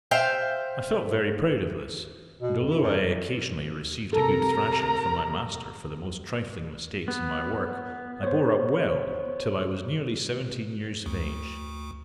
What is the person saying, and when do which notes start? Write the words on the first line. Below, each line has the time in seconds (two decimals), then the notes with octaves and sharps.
I felt very proud of this, and although I occasionally received a good thrashing from my master for the most trifling mistakes in my work, I bore up well till I was nearly seventeen years of age.
0.11 C5 E5 F5 G5
2.42 B2
2.58 F2
2.71 E4
2.82 F#2
4.13 C3 A4 A#4 A#5
7.08 B3
8.23 C5 C#5
11.06 D2